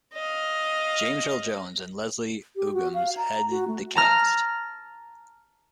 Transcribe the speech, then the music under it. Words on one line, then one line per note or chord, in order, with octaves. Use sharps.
James Earl Jones and Leslie Uggams headed the cast.
D#5 F5
G4
F#4
F5
A#5
F#4
A3
A5 A#5 F6